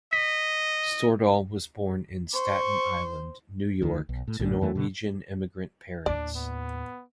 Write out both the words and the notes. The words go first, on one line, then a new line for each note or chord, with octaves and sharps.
Stordahl was born in Staten Island, New York to Norwegian immigrant parents.
D#5 B6
C5 C#6
D2 D#3
B1
A2
A#1 A2 D3
F2 E3 A3
B2 D3
D#2 A2 D4 D5
B3